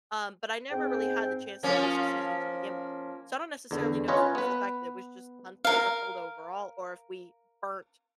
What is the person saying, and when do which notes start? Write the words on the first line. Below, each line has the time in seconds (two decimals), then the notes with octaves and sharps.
um, but I never really had the chance to taste the seasoning to begin with. So, I don't necessarily know if it was the fact that it was just unflavorful overall or if we burnt
0.71 G#2 C4 G5
1.63 F3 A#3 C#4
3.71 E2 D3
4.08 C#4 F4 B4 C#5 D#5
4.35 B3 B4
5.65 A#4 F5